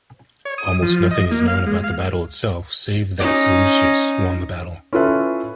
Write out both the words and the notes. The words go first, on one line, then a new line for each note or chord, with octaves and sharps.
Almost nothing is known about the battle itself save that Seleucus won the battle.
C#5
D#6
F3
D#5
A#3
F5
G#3
F5
C#4 D#4
C#4 E4 F4 A4 B4 E5